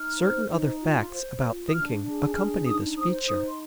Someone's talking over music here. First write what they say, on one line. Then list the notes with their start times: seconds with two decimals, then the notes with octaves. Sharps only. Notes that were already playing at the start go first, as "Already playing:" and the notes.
Certain other facts about thinking accompany this feature.
Already playing: D#4 F6
0.18 C5
0.50 D#4
0.81 F4
1.11 C5
1.43 F4
1.68 D#6
1.73 D4 F6
2.04 G#4
2.35 D4 F6
2.66 D#4 D#6
2.97 C5 D#6
3.28 D#4 D#6
3.49 C6